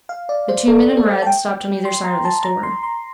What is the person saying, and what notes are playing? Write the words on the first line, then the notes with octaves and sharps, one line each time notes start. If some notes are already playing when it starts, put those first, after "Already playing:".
The two men in red stopped on either side of this door.
F5
D5
C5
A4
A4
A5
G5
C6
A#5
A5
A#5
C6
C6